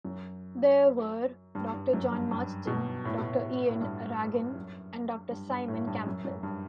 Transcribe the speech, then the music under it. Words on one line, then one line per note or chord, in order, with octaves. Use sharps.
They were: Doctor John Marsden, Doctor Ian Ragan and Doctor Simon Campbell.
F#2
G2
G2
F#2
G2
G2
B2
A2
B2
A2
A2
G2
F#2
G2
G2
A2
G2
F#2
F#2
G2